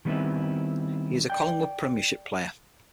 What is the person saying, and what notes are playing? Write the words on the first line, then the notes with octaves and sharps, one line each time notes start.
He is a Collingwood Premiership player.
D#3 G3 A3 B3 C4 E4
D5 G5